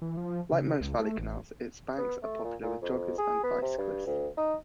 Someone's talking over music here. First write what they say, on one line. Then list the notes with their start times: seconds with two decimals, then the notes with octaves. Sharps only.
Like most Valley canals, its banks are popular with joggers and bicyclists.
0.02 E3
0.17 F3
0.52 C#3
0.81 C#2
1.00 A3
1.18 A1
1.98 B3
2.22 A3
2.44 A#2
2.62 A#2
2.82 F2
3.18 G#4
3.43 B3
3.62 C3
3.78 G2
4.06 D2
4.37 D#4